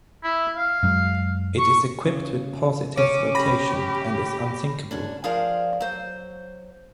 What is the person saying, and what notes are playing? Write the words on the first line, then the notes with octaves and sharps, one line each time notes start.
It is equipped with positive flotation and is unsinkable.
E4
F5
F#2 F#3 G#3
C#6
C#3
C#4 D6
G4 B5 A#6
F#2 C#4 D4
F3 G#4 A#4 C5 D5 F5
F#3 C5